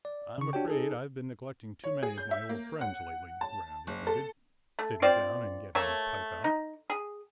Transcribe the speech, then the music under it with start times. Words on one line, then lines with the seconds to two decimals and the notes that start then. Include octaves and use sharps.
"I'm afraid I've been neglecting too many of my old friends lately," Rand admitted, sitting down and getting his pipe out.
0.05 D5
0.38 C#3 C#6
0.53 D4 F#4 G4 C#5 G5
0.68 D#4 G#4 A4
1.84 C#5
2.03 G#4
2.18 G6
2.31 E5
2.49 A#3
2.81 F#5
3.41 A5
3.87 F#1
4.07 A4
4.79 A3
5.02 C4 F4 C5 D5
5.75 A3 A#3 C#5 E5
6.44 D#4
6.90 G#4